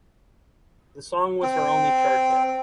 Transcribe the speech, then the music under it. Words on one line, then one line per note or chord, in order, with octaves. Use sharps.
The song was her only chart hit.
C4